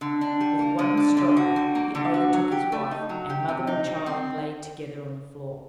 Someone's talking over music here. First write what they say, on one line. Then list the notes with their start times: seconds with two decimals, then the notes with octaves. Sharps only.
With one stride he overtook his wife, and mother and child lay together on the floor.
0.01 D3
0.21 D4
0.40 G3
0.59 A#3
0.79 D3
0.97 D4
1.17 D3
1.37 F#4
1.56 G3
1.75 A#3
1.95 D3
2.14 F#4
2.33 F#3
2.52 G4
2.72 A3
2.91 D#4
3.09 F#3
3.30 G4
3.49 C3
3.67 D#4
3.86 G3
4.06 C4